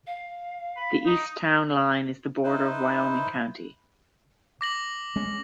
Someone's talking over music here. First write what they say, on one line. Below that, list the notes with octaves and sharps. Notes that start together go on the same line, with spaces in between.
The east town line is the border of Wyoming County.
F5
B5
D#4
D#4 E4 B4 C5
D6 A#6 F#7
G#3 C#4